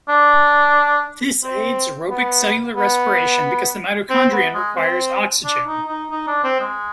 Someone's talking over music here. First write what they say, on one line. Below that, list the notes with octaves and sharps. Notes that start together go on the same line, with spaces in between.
This aids aerobic cellular respiration, because the mitochondrion requires oxygen.
D4
C4
B3
B3
C4
B3
G#3
C4
D4
D#4
D#4
D#4
D4
C4
G#3